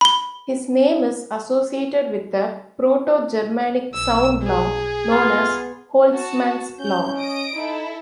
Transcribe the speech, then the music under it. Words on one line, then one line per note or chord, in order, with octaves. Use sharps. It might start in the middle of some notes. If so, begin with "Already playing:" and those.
His name is associated with a Proto-Germanic sound law known as Holtzmann's Law.
B5 G7
B1 E6
G#4
B3 F4
F#4 A5
C#4 G6
D#5 D#6 D7
D#4 E4 A4